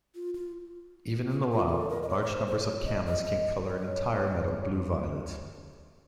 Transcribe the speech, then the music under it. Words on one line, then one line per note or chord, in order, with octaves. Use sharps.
Even in the wild, large numbers of camas can color an entire meadow blue-violet.
F4
F4
F4
F4
A4
A#4
D#5
C#5
C#5
C5
C5
C#5
D#5
D#5
D#5
C#5